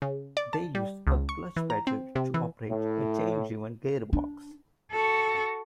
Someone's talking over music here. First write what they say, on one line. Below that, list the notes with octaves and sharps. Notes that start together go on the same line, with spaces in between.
They used a clutch pedal to operate a chain-driven gearbox.
C#3
D5
A5
G3
C#2
C#6
E3
A#5
C4
C3
E3
A2
D4
F#4 A4